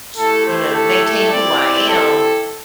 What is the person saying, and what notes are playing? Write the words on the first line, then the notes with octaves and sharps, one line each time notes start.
t you know, maintain who I am
A3 E4 G4 A4
C5
A4
A4
C4 E4 G4 D5
D5
A4